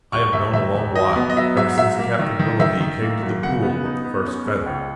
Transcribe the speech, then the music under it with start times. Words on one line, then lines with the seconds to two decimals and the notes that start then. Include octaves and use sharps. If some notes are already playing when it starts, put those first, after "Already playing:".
I have known a long while, ever since Captain Willoughby came to The Pool with the first feather.
0.12 D#2 C#6
0.33 D#2 E5
0.53 D#3 E5
0.74 D#2
0.95 F#3 D#5
1.16 B3
1.30 D#5
1.36 F#3 E5
1.57 G#2 E5
1.78 F#3 E5
1.99 A#3
2.19 D#3
2.39 D#3
2.60 D#3 E5
2.80 D#3
3.02 A#3
3.23 F#2
3.43 C#3 F#5
3.63 B3
3.84 D#4
4.04 B3
4.26 C#4
4.45 G#3
4.66 C#2